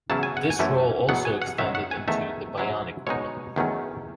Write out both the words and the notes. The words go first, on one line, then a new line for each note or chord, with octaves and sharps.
This role also extended into "The Bionic Woman".
E2 C#3 F#3 C#4 E4 A5
G#5
F#5
G#5
F#2 E3 A3 C#4 E4
E2 B2 F#3 B3 F#5
G#5
F#5
F#2 D#3 F#3 E5
F#5
G#5
E2 D#3 A3 E5
G#2 F#3 C#4 E4
B2 G#3 D#4 C#5
E2 D#3 F#3 A3 C#4